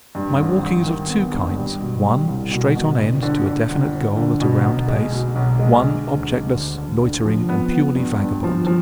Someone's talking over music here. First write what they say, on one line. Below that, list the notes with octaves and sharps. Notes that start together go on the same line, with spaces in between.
My walking is of two kinds: one, straight on end to a definite goal at a round pace; one, objectless, loitering, and purely vagabond.
G2
G#1
G#1
D#3
B3
G2
G3
B2
G3
C2
B2
B2
G1
D3
D3
G1
G1
D3
B2
B1
G#3
B2
B1
G#3
D3
D2
G#3
D2
D2
D3
F3
B3
B3
G2
G2
F3
F3